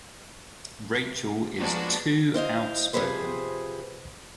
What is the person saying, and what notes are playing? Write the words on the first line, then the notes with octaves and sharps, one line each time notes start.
Rachel is too outspoken.
C3
F3 G#3 A#3 B3 D4 F#4
E4 C5 D#5 F5
C3 F3 G#4 B4 C5